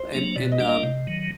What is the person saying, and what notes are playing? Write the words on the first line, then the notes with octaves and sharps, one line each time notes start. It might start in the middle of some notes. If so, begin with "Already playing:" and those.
and and, um,
Already playing: C5
F#3 A#3 D4
B2 D5
D#5
G3 A#3 D4
D#5
C3
D#3 F#3